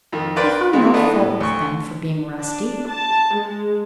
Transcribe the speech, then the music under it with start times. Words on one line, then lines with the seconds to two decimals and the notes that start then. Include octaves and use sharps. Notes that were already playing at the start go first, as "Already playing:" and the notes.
He found no fault with them for being rusty.
0.12 F2 D#3
0.36 A#4 B4 D5 G5 C6
0.73 E3 G#3 C4
0.94 E3 A3 B3 D4 D#4
1.12 A2
1.40 D2 C#6
2.39 D4
2.88 A5
3.36 G#3